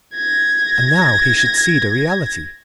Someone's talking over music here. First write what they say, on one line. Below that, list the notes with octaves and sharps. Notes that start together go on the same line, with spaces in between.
And now he should see the reality.
G#6 A#6